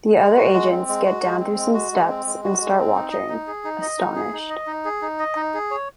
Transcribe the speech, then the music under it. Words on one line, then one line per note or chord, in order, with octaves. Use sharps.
The other agents get down through some steps and start watching, astonished.
G#3
F#4
G#3
C4
G#3
F#4
G#3
C4
G#3
F#4
G#3
C4
G#3
F#4
G#3
C4
D#4
D#5
D#4
G#4
D#4
D#5
D#4
G#4
D#4
D#5
D#4
G#4
D#4
D#5
D#4
G#4
C#5